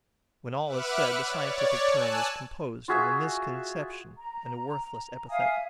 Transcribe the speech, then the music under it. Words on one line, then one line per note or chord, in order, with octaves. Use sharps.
When all is said, the scientific term is composed of a misconception and a worthless epithet.
B4 E5 F#5 D6 F6 F#6
C#5 D5
G#5 A5 E6 F#6
F4 F#4 G#4 E5
A#5
E5 F5 G#5 D#6